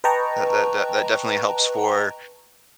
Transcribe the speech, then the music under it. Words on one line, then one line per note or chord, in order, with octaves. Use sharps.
that that that definitely helps for,
B4 D#5 G5 A5 A#5 C#6